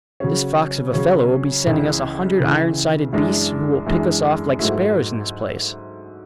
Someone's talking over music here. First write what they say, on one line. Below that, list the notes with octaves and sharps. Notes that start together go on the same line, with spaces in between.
This fox of a fellow will be sending us a hundred iron-sided beasts who will pick us off like sparrows in this place.
C#3 F#3 C#4
C#3 F#3 C#4
C#2 C#3 E3
C#2 C#3 E3
F#2 E3 G#3 D4
F#2 E3 G#3 D4
G#2 F#3 A3 E4